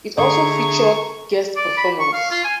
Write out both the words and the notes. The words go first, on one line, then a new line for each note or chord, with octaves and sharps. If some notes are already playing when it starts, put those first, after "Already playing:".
It also featured guest performers.
D3 A3 G#4 A#5 C#6
D5
B5
C#6
F5
F4
G#5